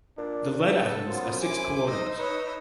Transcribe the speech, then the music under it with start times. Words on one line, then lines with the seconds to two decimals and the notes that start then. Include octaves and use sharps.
The lead atoms are six-coordinate.
0.18 A#2 D4
0.65 C#3 B3 A4 E6
1.08 F#2 F#3 B3 F4 C5
1.41 E4 G#5 D6
1.86 D#4 D#5 E6
2.18 B4 C#5 D#5